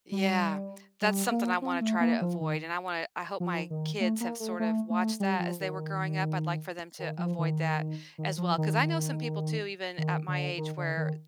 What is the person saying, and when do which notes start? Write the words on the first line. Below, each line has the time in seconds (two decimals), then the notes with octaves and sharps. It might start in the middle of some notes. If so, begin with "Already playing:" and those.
Yeah. That's something I wanna try to avoid, and I wanna I hope my kids have sort of watched that as they were growing up, I'd like for them to avoid that as well. 'Cause I know some people too even at my age where
0.12 G3
1.02 G3
1.31 A#3
1.62 C4
1.81 A3
2.00 A#3
2.21 F3
2.41 D#3
3.40 F3
3.70 D#3
4.00 A3
4.21 A#3
4.40 A3
4.60 A3
4.90 A3
5.20 G3
5.39 F3
5.60 D#3
6.99 D#3
7.18 F3
7.39 D#3
8.18 D#3
8.38 F3
8.58 D#3
9.98 D#3
10.28 D3
10.58 D#3
10.77 D3
10.97 D#3